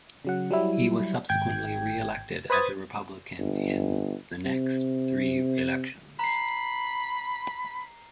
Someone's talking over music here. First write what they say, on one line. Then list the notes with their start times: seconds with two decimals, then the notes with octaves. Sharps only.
He was subsequently re-elected as a Republican in the next three elections.
0.25 C#3 F#3 F#5
0.51 F#3 G3 E4
1.29 G#1 G5 G#6
2.50 B4 C5 B5 D#6 G#6 A6
3.38 G1
4.46 C3
6.19 A#5 B5 C7